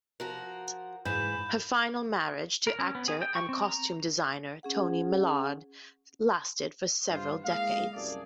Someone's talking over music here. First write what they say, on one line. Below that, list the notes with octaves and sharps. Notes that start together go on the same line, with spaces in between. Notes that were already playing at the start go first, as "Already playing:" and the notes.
Her final marriage, to actor and costume designer Tony Millard, lasted for several decades.
F3 F#4 A#4
G#2 E3 B5 G6 E7
A#4
C#4
B3
G#4
G5
C#6
C4
A#5
C#4 G#4 F#5
G2 B3 F4 C5
G#3 A#3 E4 D#5 F5
C2 F#2 A3 G#4 D5